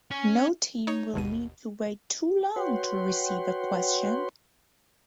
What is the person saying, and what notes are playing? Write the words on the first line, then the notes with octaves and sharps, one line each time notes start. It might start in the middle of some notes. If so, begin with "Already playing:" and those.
No team will need to wait too long to receive a question.
C#4
D#4 C#5
G1 D#2 B2 D#7
F#4 B4 C#5 F#5 G5 C6